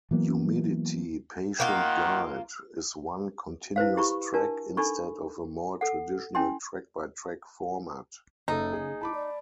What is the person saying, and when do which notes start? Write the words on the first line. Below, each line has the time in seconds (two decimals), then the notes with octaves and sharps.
"Humidity Patient Guide" is one continuous track, instead of a more traditional track-by-track format.
0.11 E3 F#3 A#3 B3
1.60 D#3 A#3 F4 F#5
3.76 E4 B4 C5 F5
3.97 E4 G4 A#5 B5 C#6
4.34 D4 F4 A#4 A5
4.77 D4 D#4 A4 B5 C#6
5.81 A4 F#5
6.35 C#4 E4 G5 G#5 C6
8.48 F#1 C#3 D#4 A4
8.73 G#4
9.01 E4 A5 B5 D6
9.14 D5